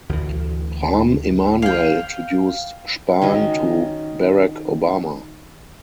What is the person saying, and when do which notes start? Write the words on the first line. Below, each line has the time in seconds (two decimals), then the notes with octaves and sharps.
Rahm Emanuel introduced Spahn to Barack Obama.
0.09 D2 E3
1.62 F5 G5
3.22 D#3 C#4 F#4 D#5